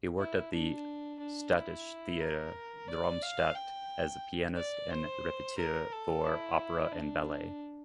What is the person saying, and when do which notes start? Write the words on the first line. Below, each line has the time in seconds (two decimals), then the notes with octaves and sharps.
He worked at the Staatstheater Darmstadt as pianist and repetiteur for opera and ballet.
0.18 E4
0.53 D4
1.19 D4
1.54 E4
2.21 A#4
2.88 D5
3.22 F5
3.55 G5
4.57 D5
4.91 C5
5.58 A#4
5.92 A4
6.25 E4
6.92 D4